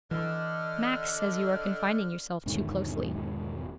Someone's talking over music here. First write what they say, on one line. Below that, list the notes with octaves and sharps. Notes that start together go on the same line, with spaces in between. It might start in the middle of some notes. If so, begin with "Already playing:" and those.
Max says you are confining yourself too closely.
D3 E3 D#5 F6
E1 G#2 D3 D#3